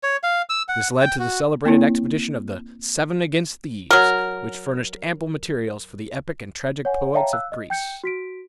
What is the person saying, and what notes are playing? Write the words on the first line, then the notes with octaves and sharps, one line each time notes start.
This led to the celebrated expedition of the "Seven against Thebes," which furnished ample materials for the epic and tragic poets of Greece.
C#5
F5
E6
F#5
G5
F#4
A#3 C4 E4 C#5
F#3 A#4
C#5 F#5 G#5
C#5 E5 F5 G5 A5 A#5
F5 E6 F#6
D#5
G5 G6 C#7
F#4 B6 D7